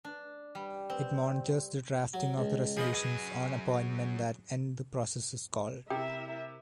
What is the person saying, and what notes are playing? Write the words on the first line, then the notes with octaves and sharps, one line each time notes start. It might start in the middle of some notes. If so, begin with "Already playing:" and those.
It monitors the drafting of the resolutions on appointment that end the processes called.
D4
G3
C4
F#3
C#2
F3 G#4 B4 D#5
F#3 G#5
C3 E4 A#4 E5 G5